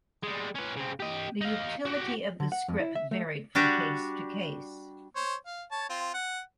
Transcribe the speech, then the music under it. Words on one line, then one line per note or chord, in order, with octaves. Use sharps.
The utility of the scrip varied from case to case.
G3 G#3
C#4 B4
C#3 C4
G4 D#5
D#4 F5
F#4 G4
D3
F#5
F2
E4
E5
A3
G3 D4 F#4 G4
C5 C#5
F5
C#5 A5
C4 F4
F#5